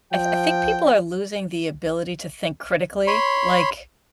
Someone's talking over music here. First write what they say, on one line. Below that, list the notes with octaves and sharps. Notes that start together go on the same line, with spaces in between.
I th I think people are losing the ability to think critically. Like,
F3 G5
C#5 B5 C6